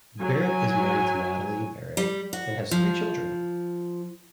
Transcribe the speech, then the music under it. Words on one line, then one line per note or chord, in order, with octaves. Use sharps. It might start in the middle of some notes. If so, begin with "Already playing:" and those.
Barrett is married to Natalie Barrett and has three children.
F#3 G#5
G3
F#4
F3